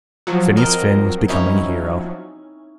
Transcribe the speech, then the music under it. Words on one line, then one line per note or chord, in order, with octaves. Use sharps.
Phineas Finn was becoming a hero.
F3 F#3
C4 A#4 D#5
C#4 D#4 E4